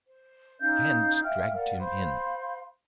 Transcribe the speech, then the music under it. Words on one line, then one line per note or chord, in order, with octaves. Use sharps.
Hands dragged him in.
C5
C#4 D#4 F5 G6
E5 F5 G5 F6
A#4 D5 F5 F#5
C5 F5 B5 C6